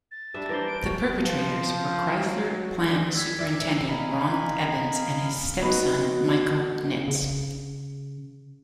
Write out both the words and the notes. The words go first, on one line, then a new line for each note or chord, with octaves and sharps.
The perpetrators were Chrysler plant superintendent Ronald Ebens and his stepson, Michael Nitz.
A6
G3 D4 E5
E3 D4 A#4 C5
D7
C#6
F3
F#3
D#3 D4
E6 G#6 B6
D5 E5 D7
D#4 F5 G#5 B5
B3 D#4 F#4
C#3